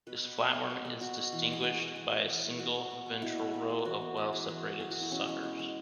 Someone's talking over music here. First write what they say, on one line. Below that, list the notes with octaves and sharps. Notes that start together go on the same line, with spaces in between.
This flatworm is distinguished by a single ventral row of well separated suckers.
B2 B4
B3
B2
B3
B2
B3
B2 F#4
B3
E3
G#3 B3 G#4
E3 F#4
G#3 B3 F#4
E3 G#4
G#3 B3
E3
G#3 B3
B2 F#4
B3
B2
B3
B2 E4
B3
B2
B3
E3 F#4
B3
E3 B4
B3 G#4
E3 F#4
B3
E3 G#4
F#4
B3
E4
B2 C#4
G#3 B3
B2
G#3 B3